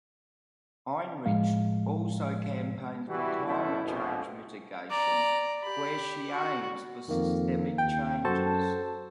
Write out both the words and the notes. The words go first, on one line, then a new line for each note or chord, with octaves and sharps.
Heinrich also campaigns for climate change mitigation where she aims for systemic changes.
A2 F3 G#3 F5
E3 G3 E4 F#4
F#2 B2 A3 E4
A#1 F2 B2
D5 A#5
G4 B5
F#4
F2 D#3 A#3
D#2 G5
F#2 F#4 A4 C5 A5